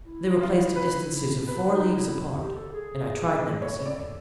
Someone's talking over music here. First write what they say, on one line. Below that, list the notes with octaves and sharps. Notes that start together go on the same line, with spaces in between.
They were placed at distances of four leagues apart, and I tried them this evening.
E4
F4
B4
B4
D#4
E4
G4
A4
G#4
A4 C#5
D5